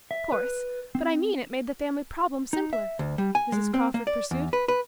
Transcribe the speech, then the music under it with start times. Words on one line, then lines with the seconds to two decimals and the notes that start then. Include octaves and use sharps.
"Of course; but I mean it made the family problem simpler," Mrs. Crawford pursued.
0.11 E5
0.32 B4
0.95 C4
2.53 D#4
2.73 E5
2.99 D2
3.18 G3
3.35 G#5
3.52 G#3
3.74 C4
3.94 A#3
4.07 D5
4.31 E2
4.53 B4
4.68 B4